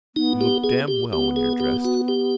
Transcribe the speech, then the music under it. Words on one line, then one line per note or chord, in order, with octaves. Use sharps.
You look damn well when you're dressed.
B3 D#4
G4
G#4
G4
B3 G4
G#4
G4
F#4
G4